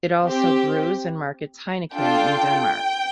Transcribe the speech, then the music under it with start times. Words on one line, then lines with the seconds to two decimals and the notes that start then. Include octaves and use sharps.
It also brews and markets Heineken in Denmark.
0.24 C4 G4
1.93 D4 F4 A4 G5